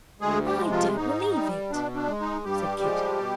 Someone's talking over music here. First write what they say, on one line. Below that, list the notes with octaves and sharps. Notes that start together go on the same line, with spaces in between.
'I don't believe it,' said Kit.
D2 G#3 G#4
G3 G4
C3 F3 G#3
F3 F4
G#2 D#4
G3
B2 D4
D4
G#3
D#4
G2 G3 G4
F3 G#3
B2